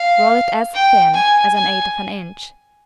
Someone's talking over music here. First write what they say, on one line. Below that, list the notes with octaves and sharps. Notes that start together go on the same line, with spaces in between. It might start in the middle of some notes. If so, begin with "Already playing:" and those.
Roll it as thin as an eighth of an inch.
Already playing: F5
G5
G#5
G#5